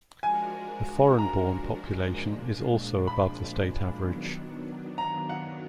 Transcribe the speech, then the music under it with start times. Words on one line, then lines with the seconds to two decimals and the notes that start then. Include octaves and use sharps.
The foreign-born population is also above the state average.
0.23 F3 G#3 D4 F#4 A#4 G#5
1.19 A#5
2.13 A#2 F3 G#3 D4
3.07 B5
4.03 D#3 F#3 B3 D4
4.98 A#5
5.29 F#5